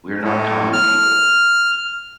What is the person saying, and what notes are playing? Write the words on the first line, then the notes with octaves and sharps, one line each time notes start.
We’re not common people.
A2
F6